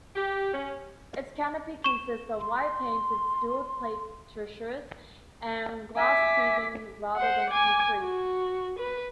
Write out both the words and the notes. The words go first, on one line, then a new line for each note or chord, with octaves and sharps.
Its canopy consists of white-painted, steel plate trusses and glass sheathing rather than concrete.
G4
C#4
C#6 E7
C6
E5 G#5 D6 B6
C5 F#5
G#5 D6
F#4
B4